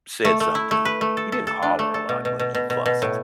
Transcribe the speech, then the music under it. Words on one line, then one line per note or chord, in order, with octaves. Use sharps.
said something, he didn't holler a lot, but he fussed,
A3
A3
E4
A3
B4
A3
A4
A4
A4
D4
A3
A4
B2
B2
B2
B2
B2
B2
A2